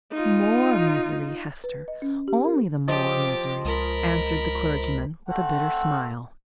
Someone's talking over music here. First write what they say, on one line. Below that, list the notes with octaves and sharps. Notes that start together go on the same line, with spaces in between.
"More misery, Hester!--Only the more misery!" answered the clergyman with a bitter smile.
D#4 F4
B4
D#5
C#4
G4
A#4
F3 G4 D#5 D6
C#2 A#4 B5
A3 C4 F#5